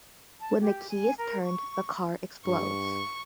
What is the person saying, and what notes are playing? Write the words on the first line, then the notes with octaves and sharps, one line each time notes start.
When the key is turned, the car explodes.
A5
G4
G#5
A#4
C#6
G2 C#6